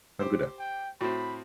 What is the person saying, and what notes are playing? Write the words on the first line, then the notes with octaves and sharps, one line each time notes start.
Have a good day.
G4 C5
G5
A2 C4 F#4 B5